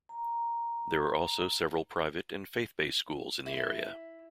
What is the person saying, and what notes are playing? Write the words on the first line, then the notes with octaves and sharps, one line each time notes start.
There are also several private and faith-based schools in the area.
A#5
E4